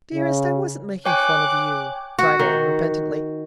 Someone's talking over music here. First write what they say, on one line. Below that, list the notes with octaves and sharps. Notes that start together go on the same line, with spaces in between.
"Dearest, I wasn't making fun of you," cried Anne repentantly.
C#3
C#5 G5 G#5 D6 F#6
F#4
D#3